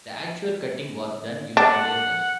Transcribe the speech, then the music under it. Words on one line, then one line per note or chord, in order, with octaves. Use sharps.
The actual cutting was done using lasers.
D4 F#5